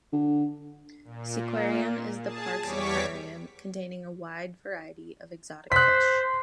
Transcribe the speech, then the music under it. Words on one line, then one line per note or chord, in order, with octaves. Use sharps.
SeaQuarium is the park's aquarium, containing a wide variety of exotic fish.
D3
A#2
G#4 A5
E2 G3 C#5 C#6 D6 B6
C5 F#6 B6